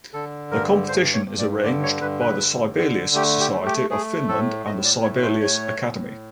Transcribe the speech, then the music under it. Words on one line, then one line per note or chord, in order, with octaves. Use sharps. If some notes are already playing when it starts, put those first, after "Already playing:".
The competition is arranged by the Sibelius Society of Finland and the Sibelius Academy.
D3 A4
G2 A#4
G2 C5
C#5
G2
D5
D3 D5
C#5
G2 B4
B4
D3
D3
A3 G4
G4
A3
G4
A3 G#4
A2 A4
A2 D#5
D5
A3 C#5
C5
A2 C#5
A2